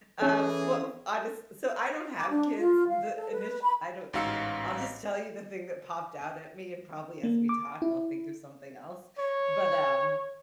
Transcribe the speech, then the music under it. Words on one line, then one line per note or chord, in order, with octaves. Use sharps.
uh, f well, uh, honest s so I don't have kids. The init I don't the I'll just tell you the thing that popped out at me, and probably as we talk, I'll think of something else, but, um
E3 C#4 G#4 A4
D6
D4
F4
F5
A4
B4
B5
A1 G#2 F#4 F5 E6 C#7
A#3
D6
E4
C#5